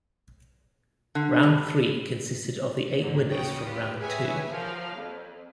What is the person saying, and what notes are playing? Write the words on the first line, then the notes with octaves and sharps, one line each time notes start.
Round three consisted of the eight winners from Round two.
D3
G2
G#2 D3 F#3
D#2 C#3 F#4 C#5 G5 D#6
F4 G4 B4
G4 G#4 B4 C#5 E5 G#5
F3 F#3 A#4 F5
F2